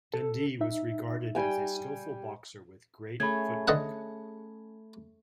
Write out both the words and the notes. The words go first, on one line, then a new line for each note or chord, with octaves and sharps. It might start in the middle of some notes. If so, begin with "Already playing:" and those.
Dundee was regarded as a skillful boxer with great footwork.
A4
D#4 E5
G3 G5 G#5
A3 C#4 G#4 B5 G#6
D3 D#5 F#5